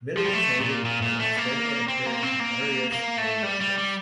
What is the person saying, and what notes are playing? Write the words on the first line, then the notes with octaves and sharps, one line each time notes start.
Milligan made it while in Australia appearing on various radio shows.
F3
G3
A3
A#2
A#2
A#2
A3
A#3
C4
A#3
C4
A#3
A#3
A3
G3
G3
G3